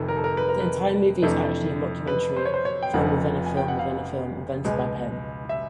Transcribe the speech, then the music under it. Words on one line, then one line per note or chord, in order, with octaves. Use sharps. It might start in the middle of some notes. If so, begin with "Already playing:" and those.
The entire movie is actually a mockumentary film-within-a-film-within-a-film invented by Penn.
Already playing: F1 F2 C3 D#3 A4
A#4
A4
A#4
B4
A#4
B4
F2 C3 E3 A3 D4
B4
C5
C#5
C5
C#5
G5
F1 F2 C#3 F3 F#5
G#5
G5
F#5
F5
C#2 B2 G#3
E5